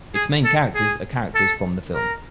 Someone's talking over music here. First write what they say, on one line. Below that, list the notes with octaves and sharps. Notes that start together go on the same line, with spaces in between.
Its main characters are characters from the film.
G#4
A4
G#4
A4
A#4